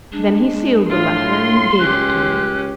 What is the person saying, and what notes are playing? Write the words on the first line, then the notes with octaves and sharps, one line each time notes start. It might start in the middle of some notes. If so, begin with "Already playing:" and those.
Then he sealed the letter and gave it to me.
G#3 D4
A2 F4 C6
C#2 C#4 G4 F#6